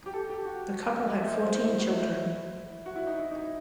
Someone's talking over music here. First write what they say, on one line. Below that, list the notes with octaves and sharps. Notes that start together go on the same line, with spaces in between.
The couple had fourteen children.
G4
A4
G4
F#4
D#5
E5
C5
D#5
C5
E4
E4
F#4
E4
F#4
E4
D#4
E4
D#4